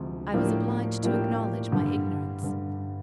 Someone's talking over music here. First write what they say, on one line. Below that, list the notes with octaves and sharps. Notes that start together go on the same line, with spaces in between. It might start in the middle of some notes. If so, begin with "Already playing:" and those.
I was obliged to acknowledge my ignorance.
Already playing: D2 C3 F3 G#3
A2 F3 A#3 D4 G4
A2 F3 A#3 D4 G4
G2 D3 G3
G2 D3 G3